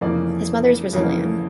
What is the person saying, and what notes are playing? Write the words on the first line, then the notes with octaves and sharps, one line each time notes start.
His mother is Brazilian.
F1 F2 C#3 E3 A#3 D5
F1 F2 C#3 E3 A#3